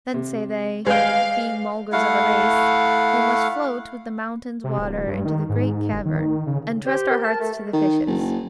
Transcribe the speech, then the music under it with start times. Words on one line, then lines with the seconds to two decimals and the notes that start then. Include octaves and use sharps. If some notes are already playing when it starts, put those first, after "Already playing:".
Then, say they, being Mulgars-of-a-race, we must float with the mountain-water into the great cavern, and trust our hearts to the fishes.
0.14 C3
0.86 G#3 B4 D5 D#5 F5 G5
1.92 A3 E4 F5 F#5
4.64 C3
4.78 D1
5.07 G2
5.25 D#3
5.49 G#2
5.93 G1
6.05 D#3
6.47 C#3
6.86 G4 C5
7.11 A#4
7.24 A5
7.40 A3
7.73 D#3
8.07 F#1